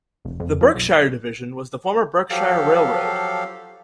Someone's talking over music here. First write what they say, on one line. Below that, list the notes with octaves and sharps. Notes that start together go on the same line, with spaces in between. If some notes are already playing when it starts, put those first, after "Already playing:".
The Berkshire Division was the former Berkshire Railroad.
F1
F2
F3
B1
F3 F#3 G4 A4 F5